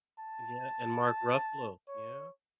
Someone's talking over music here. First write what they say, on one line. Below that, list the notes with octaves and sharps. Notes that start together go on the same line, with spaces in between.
Yeah, and Mark Ruffalo. Yeah.
A5
C#5